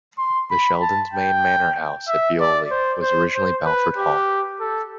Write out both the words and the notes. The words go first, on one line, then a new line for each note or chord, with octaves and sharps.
The Sheldons' main manor house at Beoley was originally Balford Hall.
C6
B5
A5
G5
E5
D5
C5
C5
C5
B4
G4
A4